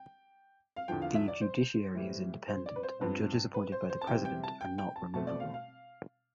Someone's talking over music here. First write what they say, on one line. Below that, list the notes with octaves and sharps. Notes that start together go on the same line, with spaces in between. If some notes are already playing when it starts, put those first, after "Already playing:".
The judiciary is independent, and judges appointed by the president are not removable.
Already playing: G5
F5
E2 D3 F3 G5
F5
E5
D5
C5
A2 E3 G3
C5
D5
B4
C5
G2 F3 C4 B4
B4
C5
C5
A5
C3 E3 G3 C4 G5
G5
A5
G5
G5
A5
B2 A3 C4 A5
D5
F5
F5